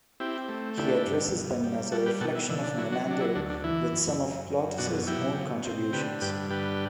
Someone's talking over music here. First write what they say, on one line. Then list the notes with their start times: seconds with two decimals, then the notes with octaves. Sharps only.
He addresses them as a reflection of Menander with some of Plautus' own contributions.
0.20 C4 E4 G4
0.49 A3
0.77 D3 E4 G4
1.07 G2
1.35 B2
1.63 G3
1.92 G3 F#4 A4
2.06 G4 B4
2.21 B2 F#4 A4
2.35 E4
2.49 D3 E4
2.64 D4
2.78 F#3 E4
2.92 D4 F#4
3.06 F#3 D4
3.21 E4
3.35 D2 D4
3.50 D4
3.64 E3 E4
3.93 F#2
4.21 F#2
4.50 F#2
4.78 B2 D4 F#4
5.07 F#3 E4 G4
5.35 B2
5.64 C4
5.93 D3 G4 B4
6.21 G2 G4 B4
6.50 D3 G4 B4